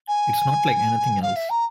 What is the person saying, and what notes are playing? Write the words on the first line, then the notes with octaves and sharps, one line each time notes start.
It's not like anything else.
G#5
F5
E5
A#5